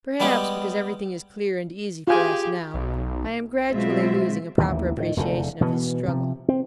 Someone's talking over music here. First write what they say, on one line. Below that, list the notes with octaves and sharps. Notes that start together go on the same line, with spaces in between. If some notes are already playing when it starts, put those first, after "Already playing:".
Perhaps, because everything is clear and easy for us now, I am gradually losing a proper appreciation of his struggle.
G3 G#3 B3 G4
F4 G4 G#4 G#5
B1
B2 F#3 G#3 C4 F4 E5
A1 D#2 D#3 E3
A2 D#3
F1 E2 B2 D3
B2 E3 B3
C3 F3
C4